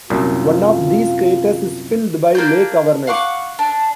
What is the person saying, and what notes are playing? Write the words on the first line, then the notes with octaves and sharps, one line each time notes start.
One of these craters is filled by Lake Avernus.
C2 F#2 A#2 F4
A#3 D4 G6
F5 F#5 C#6 D6
D4